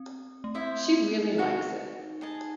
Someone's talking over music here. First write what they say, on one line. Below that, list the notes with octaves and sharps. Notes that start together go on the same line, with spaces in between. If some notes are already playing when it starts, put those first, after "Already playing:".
She really likes it.
Already playing: C4
A3
C4 E4 C5 E5
D#4 F#4 A4 D#5
G#4 D#5 A5